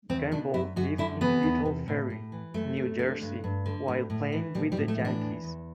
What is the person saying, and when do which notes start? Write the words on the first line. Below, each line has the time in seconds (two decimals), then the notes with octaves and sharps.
Gamble lived in Little Ferry, New Jersey while playing with the Yankees.
0.09 E2 C4
0.32 B2 D4
0.54 F#2 E4
0.76 F#2 F#4
0.98 D3 E4
1.21 E3 B3
1.43 E2
1.65 C3
1.88 A2
2.10 A2
2.32 E3
2.54 F#2 A3
2.77 F#2
2.99 D3
3.22 G2
3.44 G2
3.66 D3
3.88 A2
4.10 A2
4.32 E3
4.55 A2 G3
4.72 G3
4.77 A2
4.88 A3
4.99 E3
5.05 D4
5.21 E2
5.44 E2